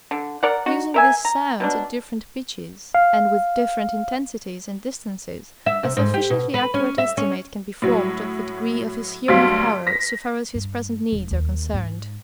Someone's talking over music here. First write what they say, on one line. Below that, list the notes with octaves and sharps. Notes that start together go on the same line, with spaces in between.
Using these sounds at different pitches, and with different intensities and distances, a sufficiently accurate estimate can be formed of the degree of his hearing power so far as his present needs are concerned.
D3
A#4 D5 F#5
D#4 F#4
A#4 E5 G#5
A#5
B2 F#3 D4
F5
E5
C3
G#2
G4
B2
B4
C#4
E5
C#4
A2 F#3
D2 G2 F#3 F5 B6
A#6 B6
G2
E1
D#2
G#2